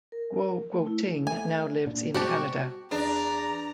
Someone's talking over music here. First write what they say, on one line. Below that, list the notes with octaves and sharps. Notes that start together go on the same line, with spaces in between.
Guo Guoting now lives in Canada.
A#4
A3
E4
A3 G#5
A#2 D4
B2 G3 G#3 C4 F#4 G4 A5
E2 D4 A#5